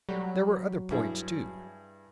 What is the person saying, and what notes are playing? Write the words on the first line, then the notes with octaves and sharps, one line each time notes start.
There were other points, too.
F#3 G3
G2 E4 G#4